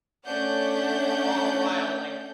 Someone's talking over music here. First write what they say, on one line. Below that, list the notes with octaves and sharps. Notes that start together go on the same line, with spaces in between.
eh, all the while, like
A3 C#4 D4 D5 F#5 G6